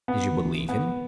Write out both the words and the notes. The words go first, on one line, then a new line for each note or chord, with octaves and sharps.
"Did you believe him?"
B3
D#3
E3
B3